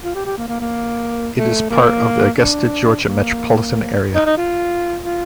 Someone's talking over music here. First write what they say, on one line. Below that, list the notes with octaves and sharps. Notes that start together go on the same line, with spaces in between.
It is part of the Augusta, Georgia, metropolitan area.
F4
G4
G4
A#3
A#3
A#3
A3
A#3
D4
A#3
D#4
D#4
F4
F4